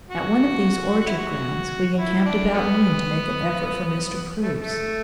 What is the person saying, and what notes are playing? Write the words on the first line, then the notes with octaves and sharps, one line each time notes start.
At one of these orchard grounds, we encamped about noon to make an effort for Mr. Preuss.
F#4
E4
F#4
E4
D4
D3 F#3 B3
A3
A3